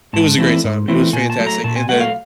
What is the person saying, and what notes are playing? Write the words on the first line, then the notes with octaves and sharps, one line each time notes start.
It was a great time. It was fantastic, and then
G#2 A5
E3 A3 C4 E4
G#2
E3 A3 C4 E4
A#2 G#5
A5
F#3 A3
A#5
A#2 A5
G#5
F#3 A3 F#5
F5